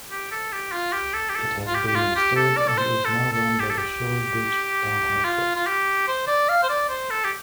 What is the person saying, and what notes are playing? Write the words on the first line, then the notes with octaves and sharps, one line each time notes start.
It has been restored and is now run by the Shoreditch Town Hall Trust.
G4
A4
G4
F4
G4
A4
G4
A4
F4
G4
G4
F4
G4
A4
D5
A4
C5
A4
A4
G4
A4
G4
F4
F4
G4
C5
D5
F5
C5
D5
C5
A4
G4